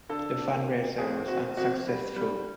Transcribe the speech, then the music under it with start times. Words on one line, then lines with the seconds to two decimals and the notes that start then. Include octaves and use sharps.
The fundraiser was unsuccessful.
0.09 D3 A4
0.39 A#3
0.69 A#3
0.98 F2 G#4
1.28 F2 F#4
1.57 F2 F#4
1.87 G3
2.16 G3